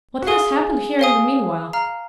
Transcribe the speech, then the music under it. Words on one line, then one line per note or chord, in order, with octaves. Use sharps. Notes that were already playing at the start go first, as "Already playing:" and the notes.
"What has happened here in the meanwhile?"
F#4
G#4 A#4 F5 G#5 D#6
A#4 F5 G#5 D#6
F5 A#5 F6